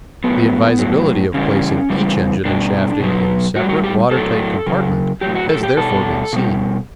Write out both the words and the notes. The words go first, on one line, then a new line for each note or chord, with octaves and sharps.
The advisability of placing each engine and shafting in a separate water-tight compartment has therefore been seen.
A2 F#3 B3
A2 F#3
C#3 E3 G3 C#4
C#3 E3 G3
B2 G3 D4
B2 F#3
A2 G3 F#4
F#4
G4
A2 F#3 A4
C#3 F#3
A2 F#3 G4
F#4
A4
G4
B2 G3 A4
B2 G3